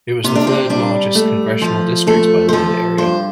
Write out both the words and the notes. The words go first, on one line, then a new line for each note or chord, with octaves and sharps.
It was the third-largest congressional district by land area.
C3 F4
D4
C4
G3 D4
A3
F3
A3 A4
C5
F3 A4
G2 C5